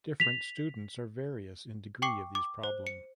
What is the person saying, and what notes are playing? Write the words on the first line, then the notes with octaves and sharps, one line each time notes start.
Different students are various in degree of these problem.
B6 F7
G5 C#6 D6 C7
D6
C5
C#7